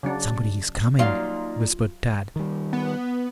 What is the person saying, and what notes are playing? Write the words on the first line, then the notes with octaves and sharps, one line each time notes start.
"Somebody is coming," whispered Tad.
C#3 F#3 D4
F#3 A#3 D#4 F4 D5
D#3 G3
B3